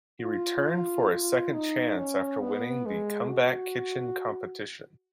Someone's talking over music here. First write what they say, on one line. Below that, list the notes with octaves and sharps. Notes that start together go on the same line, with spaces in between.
He returned for a second chance after winning the Comeback Kitchen competition.
F4
F4
D#4
C#4
B3
G#3
F#4